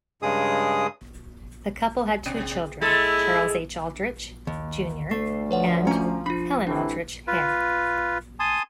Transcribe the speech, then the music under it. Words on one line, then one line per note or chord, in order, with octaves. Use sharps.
The couple had two children, Charles H. Aldrich, Junior and Helen Aldrich Hare.
G2 C#3 G#3 G#4 D#6
C3
G#3 E4 A4
D#2
D2 A3 C7
F3 B4 C#5 F#5
A3 C#4 A#5
D4 F4 B5
A2 C3 E3 D4
F4 B4
G#5 A5 C6 D#6